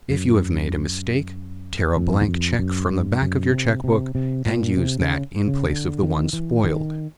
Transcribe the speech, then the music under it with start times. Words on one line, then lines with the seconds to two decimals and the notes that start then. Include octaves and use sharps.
If you have made a mistake, tear a blank check from the back of your check book and use that in place of the one spoiled.
0.10 F#2
1.97 F2
2.21 E2
2.28 F2
2.59 F#2
2.90 G2
3.22 F#2
3.52 C3
3.84 C3
4.15 C3
4.46 A#2
4.77 C3
5.01 C#3
5.48 C#3
5.70 D3
6.02 D#3
6.33 E3
6.64 D#3